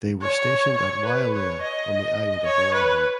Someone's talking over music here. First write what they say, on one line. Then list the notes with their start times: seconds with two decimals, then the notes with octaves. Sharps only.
They were stationed at Waialua on the island of Oahu.
0.22 C#5
0.78 C#5
1.05 B4
1.34 C#5
1.62 D#5
2.46 C#5
2.74 B4